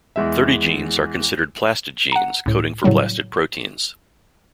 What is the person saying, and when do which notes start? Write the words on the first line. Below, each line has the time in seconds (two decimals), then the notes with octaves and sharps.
Thirty genes are considered "plastid" genes, coding for plastid proteins.
0.16 E2 G#3 E5
2.12 F#5 A#5
2.46 C#2 A2
2.84 A2 C#3 F#3 G3